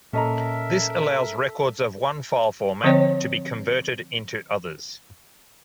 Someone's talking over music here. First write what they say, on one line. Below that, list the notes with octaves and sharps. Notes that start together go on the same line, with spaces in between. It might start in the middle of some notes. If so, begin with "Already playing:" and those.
This allows records of one file format to be converted into others.
A#2 C#4 A4 A#4 D#5 E5 A#5
D3 F3 C4 C5 C#5 G5